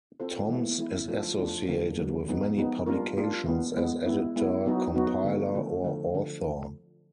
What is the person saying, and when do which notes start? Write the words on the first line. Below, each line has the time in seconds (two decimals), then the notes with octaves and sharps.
Thoms is associated with many publications, as editor, compiler or author.
0.20 C4 F4 A4 C5
0.49 E3 G#3 B3 E4
0.78 E3 G#3 B3 E4
1.08 F3 A3 D4 F4
1.38 F3 A3 D4 F4
1.68 D3 F#3 A#3
1.97 D3 F#3 A#3
2.27 F3 G#3 B3 D#4
2.57 F3 G#3 B3 D#4
2.86 G3 A#3 D4 F4 A#4
3.16 G3 A#3 D4 F4 A#4
3.46 E3 G#3 B3
3.76 E3 G#3 B3
4.06 G#3 B3 E4
4.36 G#3 B3 E4
4.66 F#3 B3 D#4 F#4
4.94 F#3 B3 D#4 F#4
5.24 D3 F3 A3
5.55 D3 F3 A3
5.84 D3 F3 A3
6.14 D3 F3